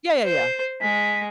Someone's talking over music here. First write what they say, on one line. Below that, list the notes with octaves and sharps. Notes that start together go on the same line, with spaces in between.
Yeah, yeah, yeah.
C5
G#3 B6